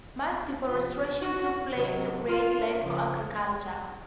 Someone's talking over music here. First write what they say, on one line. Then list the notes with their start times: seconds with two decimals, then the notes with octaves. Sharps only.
Mass deforestation took place, to create land for agriculture.
0.68 C3 F3 F4
1.22 F#4
1.75 C3 D#3 F#3
2.28 F4
2.81 C#3 F3